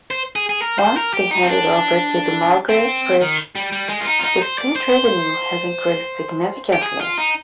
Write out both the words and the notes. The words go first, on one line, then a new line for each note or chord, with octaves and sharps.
Once they handed over to the Margaret Bridge, the state revenue has increased significantly.
C5
G#4
G#4
A#4
C5
A#4
G4
D#4
C4
D4
C4
D#3
G3
G3
G#3
F4
D#4
F4
D#4
C5
D5
C5
G4
G#4
F4
D#4